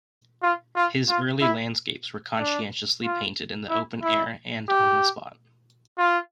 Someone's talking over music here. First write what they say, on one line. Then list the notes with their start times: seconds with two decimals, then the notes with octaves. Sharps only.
His early landscapes were conscientiously painted in the open air and on the spot.
0.43 F4
0.76 F4
1.09 F4
1.42 E4
2.39 D4
3.04 F4
3.70 E4
4.03 E4
4.68 G4
5.98 F4